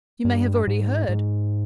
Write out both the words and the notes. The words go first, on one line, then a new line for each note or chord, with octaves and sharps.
"You may have already heard?"
G2
G#2
G#2